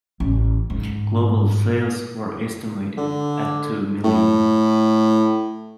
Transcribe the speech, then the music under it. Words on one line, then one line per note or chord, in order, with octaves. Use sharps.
Global sales were estimated at two million.
A1
G#2
D3
A2